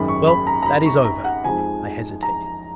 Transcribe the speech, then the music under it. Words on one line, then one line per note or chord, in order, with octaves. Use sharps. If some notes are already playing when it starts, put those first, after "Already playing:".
"Well, that is over." I hesitated.
Already playing: G#1 F#2 D#3 G#3 B5
C#6
B5
A#5
A#5
B5
C#6
A#5
F#5
F2 F3 G#3 D#4 G#5
A#5